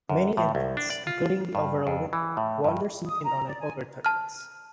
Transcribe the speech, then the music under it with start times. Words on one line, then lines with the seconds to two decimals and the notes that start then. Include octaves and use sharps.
Many entrants, including the overall winner, won their seat in online poker tournaments.
0.10 F#2
0.37 A2
0.55 C2
0.77 D4
0.90 D5
1.07 F4
1.55 G2
1.87 F2
2.13 E3
2.37 A2
2.64 G2
3.07 D#6
3.24 A#5
3.47 D5
3.60 G#5
4.05 A5 F6